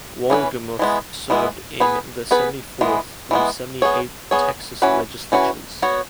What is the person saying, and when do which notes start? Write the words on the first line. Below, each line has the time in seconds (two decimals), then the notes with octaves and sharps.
Wohlgemuth served in the Seventy-fourth through Seventy-eighth Texas Legislatures.
0.30 E3 C#4 G#4 B4
0.79 E3 G#3 B3
1.30 E3 G#3 B3
1.80 B3 G#4 B4
2.31 B3 G#4 B4
2.81 E3 G#3 B3
3.31 E3 G#3 B3
3.82 B3 G#4 C#5
4.31 B3 G#4 C#5
4.82 E3 C#4 F#4 B4
5.32 E3 C#4 F#4 B4
5.82 B3 F#4 C#5